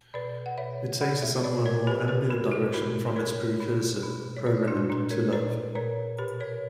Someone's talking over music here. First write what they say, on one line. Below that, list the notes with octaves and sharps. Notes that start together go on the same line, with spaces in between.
It takes a somewhat more ambient direction from its precursor, Programmed to Love.
B2 B4 D5
F#5
B2 C#5 E5
B2 D5 F#5
C#5 E5
B2 B4 D5
A#4 C#5
B2 G4 B4
G4 B4
B2 F#4 A#4
E4 G4
B2 F#4 A#4
B2 A#4 C#5
B2
B2
C#5
A#2 B4 D5
D4 F#4
A#2 D4
A#4 C#5
A#2 B4 D5
A#2 A#4 C#5
B2 G4 B4
A#4 C#5